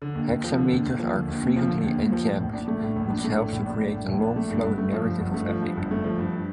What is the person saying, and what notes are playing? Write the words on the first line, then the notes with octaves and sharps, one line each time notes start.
Hexameters are frequently enjambed, which helps to create the long, flowing narrative of epic.
D3
D#2
D#2
F3
D3
D#2
D#2
F3
D3
D#2
D#2
F3
D3
D#2
D#2
F3
A2
A#1
D4
A3
A2
A#1
D4
A3
A2
A#1
D4
A3
A2
A#1
D4
A3
G2
G1
A3
F3
G2
G1
A3
F3
G2
G1
A3
F3
G2